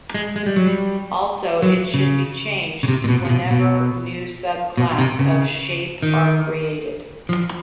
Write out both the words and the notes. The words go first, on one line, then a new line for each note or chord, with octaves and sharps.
Also, it should be changed whenever new subclass of Shape are created.
G#3
G#3
G3
F#3
G3
F#3
C#3
C#3
C3
A#2
B2
C3
B2
B2
B2
C3
C#3
D#3
F3